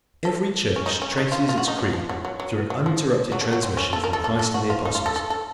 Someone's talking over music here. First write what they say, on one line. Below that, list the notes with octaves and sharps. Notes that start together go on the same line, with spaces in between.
Every church traces its creed through an uninterrupted transmission from Christ and the Apostles.
A4
C#4
D#4
C#4
D#4
F4
F4
F#4
D#4
F#3
F3
F#3
F#3
F#3
F#3
F3
F#3
A3
F#3
C4
C#4
A4
A#4
A4
A4
A4
F#4
F4
D#4
F4
A4
A4
A4